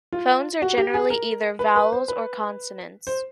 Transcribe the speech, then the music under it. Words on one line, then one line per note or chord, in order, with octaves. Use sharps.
Phones are generally either vowels or consonants.
F4
F#4
G4
G#4
A#4
B4
B4
C5
B4
C5